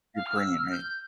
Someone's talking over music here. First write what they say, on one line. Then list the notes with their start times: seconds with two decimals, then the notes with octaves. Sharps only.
your brain, right?
0.15 F5
0.27 F6
0.36 E6
0.58 F6
0.72 G6